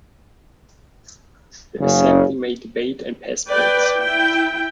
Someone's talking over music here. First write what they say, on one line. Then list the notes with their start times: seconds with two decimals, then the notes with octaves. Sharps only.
The Assembly may debate and pass bills.
1.79 F#1 C#3
3.50 B4 D5 G5
3.98 E4 G5